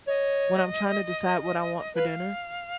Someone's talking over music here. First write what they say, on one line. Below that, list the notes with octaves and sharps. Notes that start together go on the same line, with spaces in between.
when I'm trying to decide what I want for dinner.
C#5 D#5
B4 F5